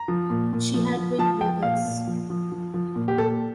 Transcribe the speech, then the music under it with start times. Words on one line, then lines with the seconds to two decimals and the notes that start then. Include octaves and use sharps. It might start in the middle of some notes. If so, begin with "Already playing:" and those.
She had twin brothers.
Already playing: A#5
0.08 F3
0.30 A#2
0.53 A#2
0.74 F3
0.97 F3
1.19 F3 A5
1.41 F3 G5
1.63 A#2 F5
1.85 A#2
2.07 F3
2.30 F3
2.52 F3
2.74 F3
2.96 A#2
3.08 G4
3.17 A#2 A4